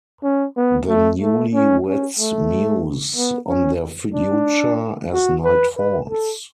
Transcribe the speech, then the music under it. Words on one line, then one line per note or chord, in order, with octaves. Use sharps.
The newlyweds muse on their future as night falls.
C#4
B3
A3
A3
C#4
C#4
A3
B3
C#4
D4
F#4
B4
B4
A4